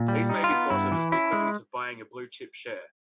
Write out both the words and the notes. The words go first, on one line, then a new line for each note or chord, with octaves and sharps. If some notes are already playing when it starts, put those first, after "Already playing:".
These may be thought of as the equivalent of buying a blue chip share.
Already playing: A#2
G3
D#4
F4
B3
G2 E4
E3
C#4 E4
G#3